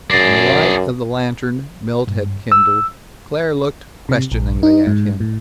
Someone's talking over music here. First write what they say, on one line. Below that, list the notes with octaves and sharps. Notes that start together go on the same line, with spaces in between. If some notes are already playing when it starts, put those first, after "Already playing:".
In the light of the lantern Milt had kindled, Claire looked questioningly at him.
F#2 D4 G#4 A6 A#6 C7
G2
E6
C3
A#1
D#4
G#2
A2